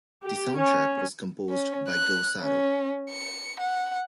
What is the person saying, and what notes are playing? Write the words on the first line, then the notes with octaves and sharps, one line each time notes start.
The soundtrack was composed by Go Sato.
G4
C#4
C#4
F#6
C#4
C#7
F#5